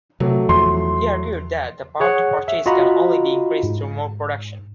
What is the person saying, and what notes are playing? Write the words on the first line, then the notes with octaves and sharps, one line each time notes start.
He argued that the power to purchase can only be increased through more production.
C3 F#3 A3
E2 E3 F3 C6
G#4 C#5 F#5
E5
F4 F#4 D#5 A#5 B5
G#2